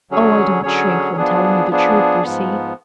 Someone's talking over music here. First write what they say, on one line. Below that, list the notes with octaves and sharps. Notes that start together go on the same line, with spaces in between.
Oh, I don't shrink from telling you the truth, you see.
D3 F#3 C#4 G#4 C#5
D3 F#3 C#4 G#4 C#5
F3 B3 D4 G#4
F3 B3 D4 G#4
G#2 F3 B3